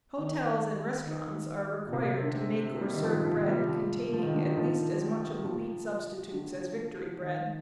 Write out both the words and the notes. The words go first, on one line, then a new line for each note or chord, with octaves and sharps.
Hotels and restaurants are required to make or serve bread containing at least as much of the wheat substitutes as Victory bread.
D#3
D#3
A#2
C3
D3
G3
D#3
F3
F3
G3
F3
F3
D#3
D3
D#3
F3
G3
F3
D3
D#3